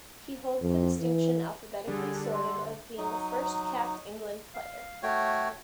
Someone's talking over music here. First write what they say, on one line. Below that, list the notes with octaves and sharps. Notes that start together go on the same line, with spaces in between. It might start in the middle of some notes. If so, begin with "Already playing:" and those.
He holds the distinction, alphabetically sorted, of being the first capped England player.
F2
E3
D3 G3 G#4
C6
F#3 D#4
F5
A3 F#4 C#5 G5